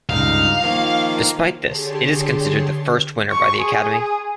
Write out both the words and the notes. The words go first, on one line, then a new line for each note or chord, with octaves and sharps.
Despite this, it is considered the first winner by the Academy.
C#2 G2 D#4 F5
D#3 F3 A#3
D3 G4 G#4 C#5 A5 C6
C#6
G#4